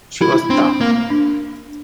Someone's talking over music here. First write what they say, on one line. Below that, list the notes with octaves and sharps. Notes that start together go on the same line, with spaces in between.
She was tough.
E4
C4 D4
A#3
D4